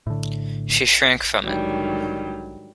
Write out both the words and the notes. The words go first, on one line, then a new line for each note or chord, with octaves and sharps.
She shrank from it.
A2 D3
G#2 D3 D#3 F#3 G3